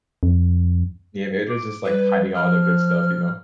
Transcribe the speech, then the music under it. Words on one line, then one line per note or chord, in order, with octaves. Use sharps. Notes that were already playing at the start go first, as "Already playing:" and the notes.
Yeah, maybe they're just, like, hiding all the good stuff, you know?
F2
D6
G3 B4
F3 F6